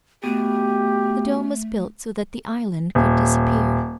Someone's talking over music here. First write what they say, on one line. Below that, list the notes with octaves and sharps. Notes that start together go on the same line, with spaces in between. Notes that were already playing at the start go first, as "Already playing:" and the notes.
The dome was built so that the island could disappear.
B2 A3 G4
D#1